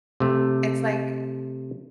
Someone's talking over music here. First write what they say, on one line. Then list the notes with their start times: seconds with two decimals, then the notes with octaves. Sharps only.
it's like,
0.20 C3 A3